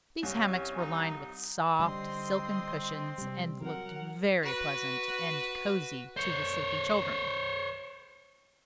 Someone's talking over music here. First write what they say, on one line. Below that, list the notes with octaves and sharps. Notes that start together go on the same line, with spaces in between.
These hammocks were lined with soft, silken cushions and looked very pleasant and cozy to the sleepy children.
C2 C#4
D#4
D3 G3 C4 D#5 C6
C3 G3
F#3 A#4 F#5
F#4 B4
C5 C#5